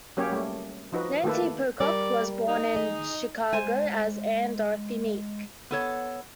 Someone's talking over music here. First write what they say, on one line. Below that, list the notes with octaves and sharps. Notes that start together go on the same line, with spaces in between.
Nancy Pocock was born in Chicago as Anne Dorothy Meek.
F#3 A#3 C#4 G4 C#5
G3 A3
F3 D#4 F#4 B4
D#3 A3 A#3 A4 B4
G3 A#4 D5
D#4
G#4 D#5
G#3 C5 G#5
B3 A4 C#5